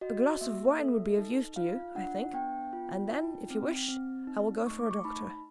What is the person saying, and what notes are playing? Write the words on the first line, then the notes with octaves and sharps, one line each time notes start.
"A glass of wine would be of use to you, I think, and then, if you wish, I will go for a doctor."
F#4 D#5
A#3 E5
A4
D#4
F4 F5
D4 F#5
B3 G5
F4
D#4
C4
C4
D#4
A3 C#6
D6
C#6
D#4 B5